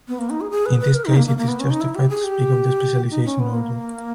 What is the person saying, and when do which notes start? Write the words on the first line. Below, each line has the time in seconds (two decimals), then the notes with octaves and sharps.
In this case it is justified to speak of the specialization order.
0.08 B3
0.19 A#3
0.30 D#4
0.41 G#4
0.51 G#4
0.66 B4
0.80 B4
0.94 A#4
1.05 D#4
1.16 A#3
1.27 A#3
1.38 A#3
1.49 B3
1.60 C#4
1.70 D#4
1.81 E4
1.95 G4
2.10 G#4
2.24 G4
3.11 D#4
3.25 C#4
3.40 B3
3.54 A#3